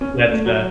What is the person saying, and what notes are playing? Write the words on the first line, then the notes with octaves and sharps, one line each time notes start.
That's the
C#4
B3
A3
F#3